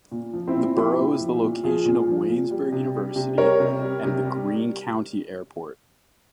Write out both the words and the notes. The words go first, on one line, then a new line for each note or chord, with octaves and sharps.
The borough is the location of Waynesburg University and the Greene County Airport.
A#2
F3
C4 E4
A#2
F3 E4 G4
A#2
F3
A#2
F3 F4 G#4
A#2
F3
A#2
G3
C3
G3
C3
G3 A#4 C#5
C3
G3
C3
G3